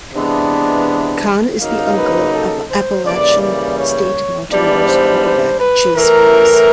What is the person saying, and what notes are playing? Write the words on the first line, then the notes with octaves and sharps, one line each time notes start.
Conn is the uncle of Appalachian State Mountaineers quarterback Chase Brice.
C3 E3 G#3 B3 D4
C#3 F#3 A#3 D#4 F5
B4
A4
C5
C#3 E3 G3 A#3 D5
D5
C#5
G#2 E3 G3 B3 D4 D5
C5
C5
B4
A2 E3 A3 A#4